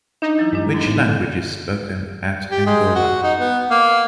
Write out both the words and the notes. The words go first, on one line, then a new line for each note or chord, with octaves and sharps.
Which language is spoken at Angola?
D4 D#4
E3 F#3 E4
G2 G#3 D4
G#2 F#3 B3
A2
D3
G4
G#3
F#4
D#4
B3
A#3